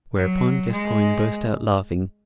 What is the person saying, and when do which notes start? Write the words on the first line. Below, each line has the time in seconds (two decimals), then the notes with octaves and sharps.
Whereupon Gascoyne burst out laughing.
0.16 F#3
0.72 G#3